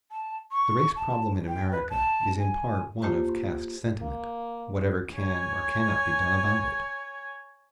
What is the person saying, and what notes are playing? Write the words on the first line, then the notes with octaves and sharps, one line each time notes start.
The race problem in America is in part one of caste sentiment, whatever can or cannot be done about it.
A5
C#6
A5
G5
B4
A5
G#5
A#3 F4 G4 C5 A5
A#3
C#5 G#5